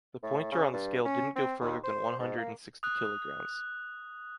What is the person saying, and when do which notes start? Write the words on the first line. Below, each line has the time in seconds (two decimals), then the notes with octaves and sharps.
The pointer on the scale didn’t go further than one hundred and sixty kilograms.
0.23 A2
0.52 C#3
0.73 G2
1.05 C#4
1.36 C4
1.61 D#2
1.84 C5
2.19 G#2
2.37 A#3
2.83 D#6 F#6